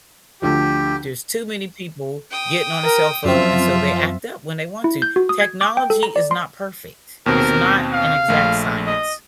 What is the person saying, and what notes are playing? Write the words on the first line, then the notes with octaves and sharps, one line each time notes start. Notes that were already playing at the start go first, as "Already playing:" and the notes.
There's too many people getting on a cell phone, and so, they act up when they want to. Technology is not perfect. It's not an exact science.
D2 D3 F3 G4
G5 D#6
A#4
F#2 F3 C4 F4 E5
E4
G6
F#4
D#6
G#6
D6
G5
A4
A#5
D5
C6
D#2 B2 C4 A#4
F5
A#1 A3
D#5